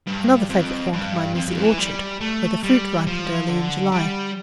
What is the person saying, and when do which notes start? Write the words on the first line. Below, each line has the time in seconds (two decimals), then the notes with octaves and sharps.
Another favourite haunt of mine was the orchard, where the fruit ripened early in July.
0.07 G2
0.49 F2
0.93 G2
1.35 F2
1.50 F2
1.59 F3
1.64 E3
1.78 G3
2.21 A3
2.63 G3
3.07 F3
3.49 D3
3.92 G3